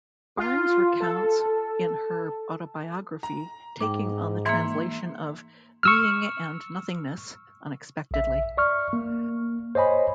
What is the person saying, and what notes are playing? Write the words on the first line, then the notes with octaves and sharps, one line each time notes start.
Barnes recounts in her autobiography taking on the translation of "Being and Nothingness" unexpectedly.
F4
A4
A#5
G#2 G5 D6
E3 A#3 E5 C6
C#6 E6 F6
A#1 E5
D5 C#6 F6
A#3
C5 C#5 D#5 G#5 B5